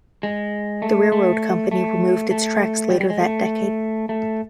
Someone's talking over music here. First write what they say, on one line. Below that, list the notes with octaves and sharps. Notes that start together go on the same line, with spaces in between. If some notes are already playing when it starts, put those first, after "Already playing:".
The railroad company removed its tracks later that decade.
G#3
A3
A3
A3
A3
G3
G3
G#3
A3
A3